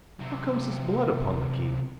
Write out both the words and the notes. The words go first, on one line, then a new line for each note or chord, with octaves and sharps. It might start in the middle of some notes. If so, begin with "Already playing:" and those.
"How comes this blood upon the key?"
C3 F#3